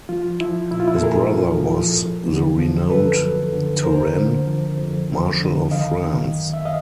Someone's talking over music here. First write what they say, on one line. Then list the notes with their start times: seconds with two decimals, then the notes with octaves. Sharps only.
His brother was the renowned Turenne, Marshal of France.
0.09 F3 F4
0.41 F3 E4
0.71 A#2 E4
0.80 F4
0.88 E4
0.96 A4
1.03 A#2 G#4 A#4
1.33 F3
1.66 F3
1.97 F#2
2.28 D3
2.59 F3
2.90 F#2 A4 B4
3.22 F#2
3.53 D3
3.84 F2 A#4 C5
4.15 D3
4.47 F3
4.78 F2
5.10 F2
5.41 D3
5.71 D#3 D#5 F5
6.03 D#3
6.34 F#2
6.53 E5
6.65 D#5 F5